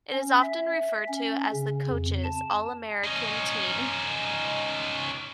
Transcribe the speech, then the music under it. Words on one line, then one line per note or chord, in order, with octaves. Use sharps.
It is often referred to as the "Coaches' All-America Team".
C#4
E5
C#4
C#3
F2
A5
C#4 D#4